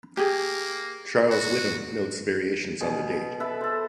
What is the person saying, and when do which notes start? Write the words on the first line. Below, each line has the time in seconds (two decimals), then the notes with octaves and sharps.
Charles Whitham notes variations on the date.
0.17 A#3 G4 G#4
1.31 F#4
2.81 B2 G#4
3.40 A4 B4 E5
3.61 A4 C5